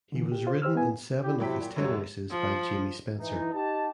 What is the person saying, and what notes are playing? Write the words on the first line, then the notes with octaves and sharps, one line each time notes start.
He was ridden in seven of his ten races by Jamie Spencer.
D3 E3
G4
F4 C5
G4 C5 E6 F6
B3 E4 G#5
E4 G4
C3 F#3 G5 B6
A#2
F#2 D3 F#3 G3 C#5
F3
E3 D#4
D#4 G4 A5